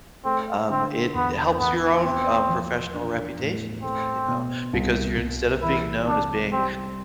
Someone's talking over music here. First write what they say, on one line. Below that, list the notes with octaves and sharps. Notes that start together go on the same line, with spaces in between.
um, it helps your own, um, professional reputation if you know, because you're instead of being known as being
A3 C4
D3 C4
E2 B3
E2 B3
B3 C4
F3
D4
A2
A3 C4
B2
C2
C2
E3 E4
C3 D4
G3 C4